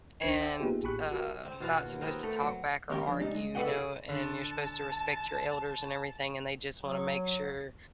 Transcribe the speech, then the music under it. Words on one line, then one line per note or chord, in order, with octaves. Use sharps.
and, uh, not supposed to talk back or argue, you know, and you're supposed to respect your elders and everything, and they just wanna make sure,
C#2 D4 C5 G#6 E7
E5 G5 C6 E6
A#3 B3 D#4 F4 G4 G#4
A1 G4 G#4 B5 C#6 F#6
F#4 A#4
C4
B2 F4 F#4
D#2
B3 C4 A#4
A3
F#3
D#2 G#2 C#4 G4 A#4 G5
F3 D4
G3 G#3 D4 D#4
G#3
A4 B4 D5 D#5 F#5 G5
F#4 G#4 A4
D3 A5
F#3